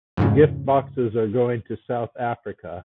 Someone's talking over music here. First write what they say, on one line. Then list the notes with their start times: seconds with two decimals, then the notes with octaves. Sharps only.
The gift boxes are going to South Africa.
0.17 F2 G#2 C#3